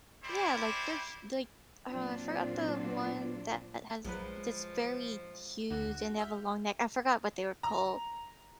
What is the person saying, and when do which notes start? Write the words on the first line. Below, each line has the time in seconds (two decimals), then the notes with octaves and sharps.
Yeah, like there's, like, uh, I forgot the one that has this very huge and they have a long neck, I forgot what they were called.
0.23 C#4 E4 G4 C5 D5
1.88 A#2 F#3 C4 D4 F4
4.05 A#1 F3 F#3 G#3 B4
5.70 D2 D3 F#4
6.19 E5 F6 G6
7.63 A#5